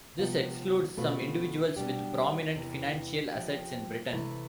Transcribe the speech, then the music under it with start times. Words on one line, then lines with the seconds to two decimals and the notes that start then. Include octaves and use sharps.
This excludes some individuals with prominent financial assets in Britain.
0.19 C3 F3 B3 F4
0.97 B2 A3 C4 F4 B4
1.76 B2 G3 D4 G4
2.55 E2 C3 E3
3.34 F3 C4 G4
4.12 C3 E3 A3 E4 B4